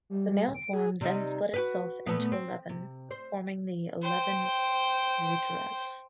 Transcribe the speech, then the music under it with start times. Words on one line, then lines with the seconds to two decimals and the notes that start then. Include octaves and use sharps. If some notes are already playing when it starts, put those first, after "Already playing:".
The male form then split itself into eleven, forming the eleven Rudras.
0.10 G3
0.54 D7
0.73 G#4
1.01 C3 G3 D#4
1.54 F#4 G4 B4
2.07 A#2 A3 B3
2.32 C4
2.69 C3
3.11 C5
4.03 C5 G5